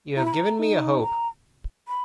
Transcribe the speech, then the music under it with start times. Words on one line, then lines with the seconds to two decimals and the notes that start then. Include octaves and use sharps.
You have given me a hope.
0.17 E4 A#5
0.26 B5
0.33 A#5
0.60 D#4
1.02 A#5
1.88 B5